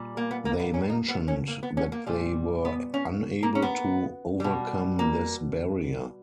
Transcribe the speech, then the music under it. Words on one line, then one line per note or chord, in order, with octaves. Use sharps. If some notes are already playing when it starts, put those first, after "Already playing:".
They mentioned that they were unable to overcome this "barrier".
Already playing: A#2 G3
A#3
B3
A#3
B3
C#4
D#4
B3
C#4
A#3
B3
C#4
A#3
A#2 G3
B3
C#4
A#3
C#4
B3
B2 G3
A#3